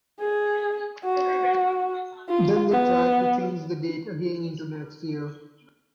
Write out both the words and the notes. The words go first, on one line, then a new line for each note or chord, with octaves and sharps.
Then they tried to change the date again into next year.
G#4
F#4
F4
B3